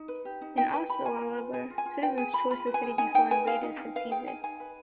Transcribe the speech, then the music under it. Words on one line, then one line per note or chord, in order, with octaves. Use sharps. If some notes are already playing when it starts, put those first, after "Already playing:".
In Oslo, however, citizens torched the city before invaders could seize it.
Already playing: D#4
B4
G4
D#4
D#4 G5
B4 G#5
G4 B5
F4 G#5
F4
B4
G#4 G#5
F4
G#5
F4
B4 G5
G#4 G#5
F4 B5
F4 B5
B4
G#5
G#4
D#4 G#5
D#4 G5
B4 G#5
G#4 F5
D#4
D#4
B4 F5
G#4 G5
D#4 G#5
D#4 G#5
B4